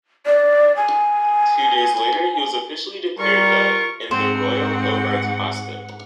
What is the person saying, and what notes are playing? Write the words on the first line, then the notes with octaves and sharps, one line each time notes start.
Two days later he was officially declared dead in the Royal Hobart Hospital.
D5
G#5
G3 F4 A#4 C#6
G#2 C4 C5 F#5